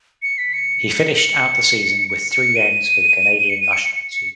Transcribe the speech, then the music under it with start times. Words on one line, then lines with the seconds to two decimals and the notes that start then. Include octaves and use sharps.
He finished out the season with three games for the Canadian national team.
0.23 C#7
0.38 B6
0.53 C#7
1.16 C#7
2.09 C#7
2.32 C#7
2.56 D#7
3.49 C#7
3.60 D#7
3.73 C#7
3.84 C#7
3.96 C#7
4.12 C#7